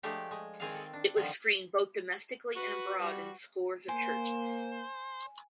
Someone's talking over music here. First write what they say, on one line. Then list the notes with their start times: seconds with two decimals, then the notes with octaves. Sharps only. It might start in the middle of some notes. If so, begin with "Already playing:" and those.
It was screened both domestically and abroad in scores of churches.
0.03 F3 G#3 A3 D4 G4
0.31 G#3
0.60 D#3 G#3 C4 G#4 D5 F5
0.74 A4
0.93 D4
1.16 D3 D#3 F3 G3
2.56 F#4 B4
3.01 G3 F#4
3.89 A#3 C5 G#5